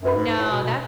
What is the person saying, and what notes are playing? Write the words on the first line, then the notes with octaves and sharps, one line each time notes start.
No, that's
F#2 D4 F#4 B4 F#5 B5
G#2
G#2
A2
B2
B2